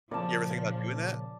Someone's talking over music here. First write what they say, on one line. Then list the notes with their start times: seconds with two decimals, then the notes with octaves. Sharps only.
You ever think about doing that?
0.11 A#2 C#3 F3 D5 A5